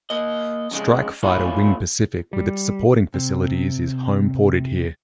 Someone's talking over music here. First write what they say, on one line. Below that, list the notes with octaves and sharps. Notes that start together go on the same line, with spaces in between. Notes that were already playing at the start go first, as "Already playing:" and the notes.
Strike Fighter Wing Pacific with its supporting facilities is home ported here.
A#3 D#5
F2 C#3 G#3
E3 A3 A#3 C#4 E4 F4
G3
C3